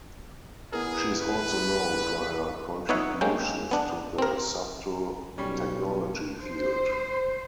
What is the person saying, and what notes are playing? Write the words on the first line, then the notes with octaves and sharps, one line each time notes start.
She is also known for her contributions to the subtle technology field.
E2 B3 E4 G#4 A#4
B4
B3 D#4 C#5 E5 F#5
G#3 A#3 C#4 G5
B3 D4
C4 A#4
B1 G3 C#4
C5